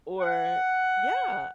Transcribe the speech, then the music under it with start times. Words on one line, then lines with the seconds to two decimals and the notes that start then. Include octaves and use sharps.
or Yeah,
0.20 F#5